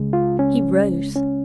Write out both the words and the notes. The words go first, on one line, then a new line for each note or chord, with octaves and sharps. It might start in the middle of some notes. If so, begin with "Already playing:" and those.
He rose.
Already playing: C#2 C#3 G#3
F4
C#4
C#4